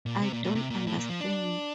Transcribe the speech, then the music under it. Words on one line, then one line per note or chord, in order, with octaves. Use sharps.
I don't understand.
A#2
C3
A#2
A#2
C3
A#2
A2
A#2
F3
D4